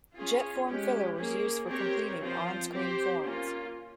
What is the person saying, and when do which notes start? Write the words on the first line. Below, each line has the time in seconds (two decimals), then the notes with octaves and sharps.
JetForm Filler was used for completing on-screen forms.
0.16 C#4 F4 G#4
0.67 G#3 C#4 G4
1.18 A#3 C#4 G#4
1.69 C4 G4 A#4 C#5
2.21 F3 C4 F4 C5
2.72 C4 G4 C5
3.22 A#3 C#4 F4